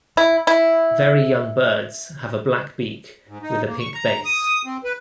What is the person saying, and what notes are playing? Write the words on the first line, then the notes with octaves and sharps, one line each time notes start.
Very young birds have a black beak with a pink base.
E4
E4
G#2
D#4
A#3
C#6
A#5
D#6
C4
B4